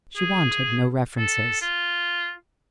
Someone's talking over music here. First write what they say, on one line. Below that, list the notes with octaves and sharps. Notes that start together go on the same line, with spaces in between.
She wanted no references.
G#4
A4
F4